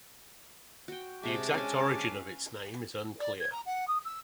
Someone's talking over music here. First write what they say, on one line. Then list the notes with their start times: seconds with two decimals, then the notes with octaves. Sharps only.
The exact origin of its name is unclear.
0.88 F#4 G5
1.23 C3 G#3 E5 A5 D6
1.54 C#4 G#5
1.98 B4 F5
3.20 D5
3.40 G#6
3.52 A#5
3.66 F#5
3.88 D#6
4.05 E6